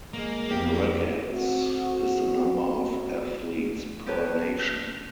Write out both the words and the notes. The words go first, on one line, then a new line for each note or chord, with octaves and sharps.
In brackets is the number of athletes per nation.
G#3 A#3
F2 G4
A3 C4 F#4
G4 B4 C#5 A5